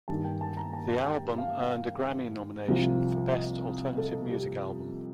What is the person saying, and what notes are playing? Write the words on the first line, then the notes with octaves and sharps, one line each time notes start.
The album earned a Grammy nomination for Best Alternative Music Album.
G2 D#3 A5
G5
A5
A#5
A5
G5
F5
C2 C3 F3
D#5
A4
G4